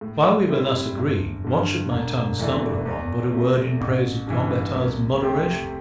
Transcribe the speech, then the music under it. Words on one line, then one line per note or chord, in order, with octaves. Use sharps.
While we were thus agreeing, what should my tongue stumble upon but a word in praise of Gambetta's moderation?
A2
G3 C4 E4
G1
G2 D3
E1
E2 E3 A3 D4
E2
C3 A3
A1
G2 E3
C2
C3 A3 C4 G4